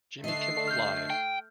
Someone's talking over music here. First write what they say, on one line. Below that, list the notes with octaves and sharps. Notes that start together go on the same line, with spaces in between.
Jimmy Kimmel Live!
D3 A3 D#5 C7
F6 G6
G5